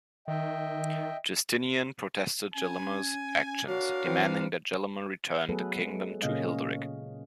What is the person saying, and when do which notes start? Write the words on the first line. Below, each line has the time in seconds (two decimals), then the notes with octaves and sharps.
Justinian protested Gelimer's actions, demanding that Gelimer return the kingdom to Hilderic.
0.28 D#3 D#5 E5 G5
2.55 C#4 G#5
3.67 D4 F#4 A#4 C#5 F5
4.06 E3 C4 C5
5.49 F#3 A3 B3 G#4 A4 B4
5.76 G#3
6.22 A#2 C#3 A#3 C#4 D#5 F5